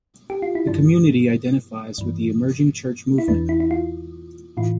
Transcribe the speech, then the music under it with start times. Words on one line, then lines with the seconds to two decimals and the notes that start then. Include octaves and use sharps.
The community identifies with the Emerging Church movement.
0.30 G4
0.42 F4
0.55 E4
0.67 G2 D3 F3 D4
1.98 G2 E3
3.18 E4
3.28 E2 E3 D4
3.49 E4
3.60 E4
3.71 F4
4.57 A2 E3 F4